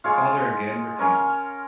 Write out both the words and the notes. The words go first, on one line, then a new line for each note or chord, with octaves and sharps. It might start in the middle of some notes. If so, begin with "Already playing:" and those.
Her father again refuses.
G#3 F4 C#5 F5
C#4 A#4 C#5 F5